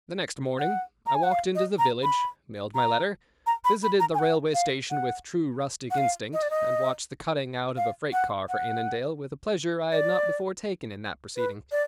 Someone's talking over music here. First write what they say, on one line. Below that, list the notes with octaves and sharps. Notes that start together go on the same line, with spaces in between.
The next morning I walked into the village, mailed my letter, visited the railway station with true rustic instinct and watched the cutting out of a freight car for Annandale with a pleasure I had not before taken in that proceeding.
F#5
A#5
G#5
F#5
F5
D#5
A#5
B5
A#5
A#5
B5
B5
A#5
G#5
F#5
F5
F#5
F#5
F5
D#5
D5
D#5
F5
F#5
F#5
D5
B4
D5